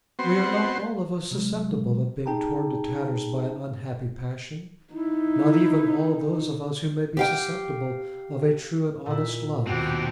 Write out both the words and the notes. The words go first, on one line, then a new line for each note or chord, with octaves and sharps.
We are not all of us susceptible of being torn to tatters by an unhappy passion; not even all those of us who may be susceptible of a true and honest love.
B3 C4 F#4 C6
C3 F#3 G#3
D#4 G#4 G5 A5 A#5
D#4 E4
G4 F5 G5
A#2 E4
D#2 B2 C4 F#4 G4